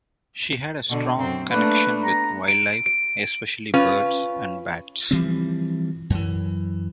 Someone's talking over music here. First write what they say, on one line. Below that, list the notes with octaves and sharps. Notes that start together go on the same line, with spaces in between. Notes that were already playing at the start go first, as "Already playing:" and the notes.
She had a strong connection with wildlife, especially birds and bats.
B2 D3
F#2 C4
A3 A#3 D4 B4
B3 A#5
D7
D7
C#4 F4 B4
E3 F3 G3 C4
F#2 E3